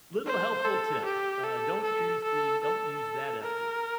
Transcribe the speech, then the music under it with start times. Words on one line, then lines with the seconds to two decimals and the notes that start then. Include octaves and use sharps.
little helpful tip. Uh, don't use the don't use that f word,
0.27 C5
0.65 A4
1.06 G4
1.44 A4
1.83 A4
2.24 A4
2.63 A4
3.42 A#4